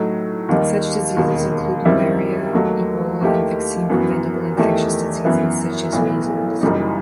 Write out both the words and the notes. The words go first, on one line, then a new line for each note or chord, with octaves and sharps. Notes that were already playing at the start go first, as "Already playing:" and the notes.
Such diseases include malaria, Ebola and vaccine-preventable infectious diseases such as measles.
Already playing: A2 F#3 A3 D#4
D#2 D#3 G3 D#4
E1 D#2 D#3
F#2 D#3 G3 C4 E4
D#2 D#3 F#3 A3
D#2 D#3 A3 E4 G4
F#2 E3 B3 F#4
E2 D#3 A3 E4 G4
F#2 E3 B3 E4
B1 A2 E3 B3
F#1 F#2 E3 G3 D#4